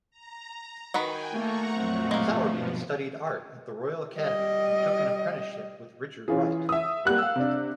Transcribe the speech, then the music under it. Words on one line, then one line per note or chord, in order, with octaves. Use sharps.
Sowerby studied art at the Royal Academy and took an apprenticeship with Richard Wright.
A#5
D#3 F#4 B4 G5 G#5
A3 A#3 A4 F#5 A#5 C#6
F2 A#2 F#3 C4 F#5
G2 B2 F3 G#3 A#3
G3 D#5
E3 C#4 F4 G#4
E5 D#6
G3 A#3 F#5 F#6
F5 E6
C3 D4